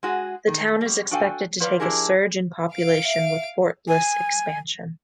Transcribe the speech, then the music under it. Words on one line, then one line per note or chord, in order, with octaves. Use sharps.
The town is expected to take a surge in population with Fort Bliss expansion.
G#3 F#4 G#4
D#3
F#2 G3
D4 F#4 A4 F5 G5 G#5
F3 B4 D5 F5
F3 D4 E4 G4 G#4 A#4
F5 D7
E5
G#5